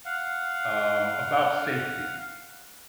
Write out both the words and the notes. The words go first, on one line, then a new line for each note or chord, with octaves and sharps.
um, about safety
F5 F#5